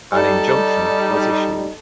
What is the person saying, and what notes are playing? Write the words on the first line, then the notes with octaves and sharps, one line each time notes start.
An injunction was issued.
G3 D#4 A4